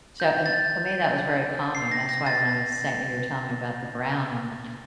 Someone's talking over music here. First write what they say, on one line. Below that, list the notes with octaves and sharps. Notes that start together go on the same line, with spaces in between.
So and to me, that was very calming, that's why when I was say when you were telling me about the brown and the
G6
A6
C7
A#6
A#6
A6